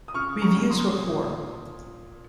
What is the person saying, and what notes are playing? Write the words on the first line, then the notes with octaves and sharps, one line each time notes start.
Reviews were poor.
D#6
C#3 C#6 F6
A#5 C#6
C#3
C6 D#6
A#2